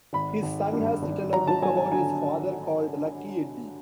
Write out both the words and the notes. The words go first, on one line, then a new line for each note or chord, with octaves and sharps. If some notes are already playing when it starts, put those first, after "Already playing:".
His son has written a book about his father called "Lucky Eddie".
G#1 B5
G#1
G2
G#1
F#3 A#5
A5
F#3 G#5
G#5
D3 G#5